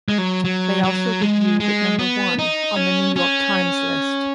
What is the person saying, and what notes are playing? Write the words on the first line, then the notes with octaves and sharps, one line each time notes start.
They also debuted at number one on "The New York Times" list.
G#3
F#3
F#3
F#3
G#3
G#3
B3
D#4
C#4
C#4